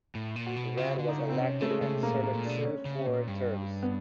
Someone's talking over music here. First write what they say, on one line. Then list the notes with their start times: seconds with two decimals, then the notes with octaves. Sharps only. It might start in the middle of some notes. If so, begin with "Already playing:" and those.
Grant was elected and served two four-year terms.
0.15 A2
0.36 A#2
0.46 F#4
0.56 B2
0.77 C#3 F4
0.99 D3
1.08 D#4
1.19 C#3
1.29 C4
1.40 C3 C#4
1.61 C#3 A3
1.71 G#3
1.82 C#3
1.94 C3
2.03 B2 A#3
2.11 A#2
2.18 A2
2.23 A#3
2.34 A#2
2.45 B2 D4
2.65 C#4
2.85 C#3
3.07 A#2
3.28 G2
3.83 B3